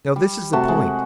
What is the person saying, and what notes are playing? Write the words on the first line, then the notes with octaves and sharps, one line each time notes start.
Now this is the point.
G3
C3 A3 F#4 A5
G#3